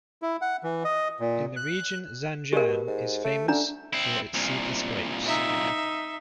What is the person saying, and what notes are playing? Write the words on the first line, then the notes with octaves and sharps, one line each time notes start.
In the region Zanjan is famous for its seedless grapes.
E4
F#5
E3
D#5
A#2
F#6
G#3 G4 A#4
B2
G#2
A3
D3 D4 A#5
C4 E4
C2 A#2
D#4 E5